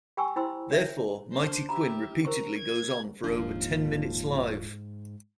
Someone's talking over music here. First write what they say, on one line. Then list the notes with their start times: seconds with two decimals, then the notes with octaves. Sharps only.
Therefore, "Mighty Quinn" repeatedly goes on for over ten minutes live.
0.17 G4 G5 G#5 B5 C#6 E6
0.36 E4 C5 G5 B5 C6 E6
0.71 C#5 E5
1.32 D4 C5
1.69 G4 E5 A#5 B5
2.25 A#4 C5 A#5 C#6
2.58 G#6
3.24 D#1 D#2 G#2 F3 D4